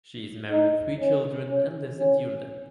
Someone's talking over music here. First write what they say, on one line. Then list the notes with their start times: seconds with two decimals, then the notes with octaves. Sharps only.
She is married with three children and lives in Dunedin.
0.50 D#4
1.00 C#4
1.49 C#4
2.00 C#4